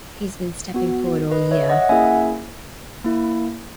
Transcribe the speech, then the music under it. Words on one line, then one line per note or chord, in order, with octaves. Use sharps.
He has been stepping forward all year.
B3 F#4
B4 D#5
C#5 E5
D#5 F#5
F#5
A#3 C#4 E4 G#4 E5 G#5
A#3 E4